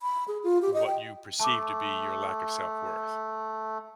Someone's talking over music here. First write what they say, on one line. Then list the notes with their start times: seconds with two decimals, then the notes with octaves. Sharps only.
what you perceive to be your lack of self worth,
0.02 B5
0.28 G#4
0.44 F4
0.62 G4
0.74 D#5
0.87 G5
1.40 A3 A5 D6